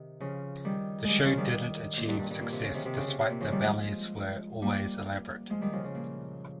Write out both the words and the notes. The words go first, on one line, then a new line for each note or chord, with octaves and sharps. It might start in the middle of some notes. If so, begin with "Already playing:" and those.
The show didn't achieve success despite the ballets were always elaborate.
Already playing: C3 D#3
C#3 F3
D#3 G3
D#3 G3 G#3
C#3 F3
D#3 G3
A#2
G2
G2
G2
A#2
C3
C#3
C3 D#3
C3 D#3
C#3
C3
C3
A#2
C#3 F3
D#3 G3
F3 G#3
G3 A#3
F3 G#3
D#3 G3
C#3 F3
C#3
A#2